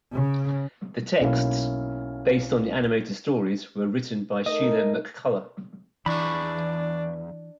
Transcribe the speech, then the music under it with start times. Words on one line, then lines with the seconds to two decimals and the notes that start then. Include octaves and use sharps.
The texts, based on the animated stories, were written by Sheila McCullagh.
0.14 C#3
1.20 B1 A#3 C#4 E4 F5
4.46 A3 D#4 A#4 D#5
6.06 B1 E2 E3 D4 B5 C#6